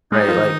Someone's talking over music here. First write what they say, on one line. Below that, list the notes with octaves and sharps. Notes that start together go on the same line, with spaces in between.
right, like,
G#3 D#4
G3
F3
D#3